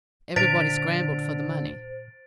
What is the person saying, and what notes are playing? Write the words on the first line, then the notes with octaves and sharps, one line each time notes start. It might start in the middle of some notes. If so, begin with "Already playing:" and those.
Everybody scrambled for the money.
A#2 D3 C5 A6 D7